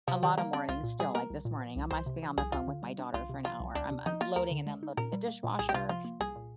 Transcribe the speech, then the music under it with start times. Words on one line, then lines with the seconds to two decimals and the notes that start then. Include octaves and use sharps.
a lotta mornings still, like, this morning, I must have been on the phone with my daughter for an hour, I'm unloading and unloading the dishwasher,
0.08 C3 F3
0.23 D#3 G3
0.38 G3 A#3
0.53 C4 D4
0.68 C2 F4
0.83 A#2
0.99 G3 G#4
1.14 A#3 A#4
1.30 C2
1.45 A#2
1.61 F3
1.76 C2
1.91 C2 C5
2.06 C3
2.22 F3
2.37 C2 G#4
2.52 D2 F4
2.67 D3
2.83 G3
2.99 D4
3.14 C2 F4
3.29 C3
3.44 F3 F4
3.60 C2
3.75 D2 D4
3.91 C3
4.06 F3 D#4
4.21 A#3 F4
4.36 D2 A#4
4.51 D3
4.67 G#3
4.83 D#4
4.97 A#2 A#4
5.13 G3
5.28 A#3
5.44 A#2
5.59 C2 G#4
5.69 G4
5.74 C3 F4
5.89 F3 F4
6.05 A#3
6.20 C2 G#4
6.36 A#2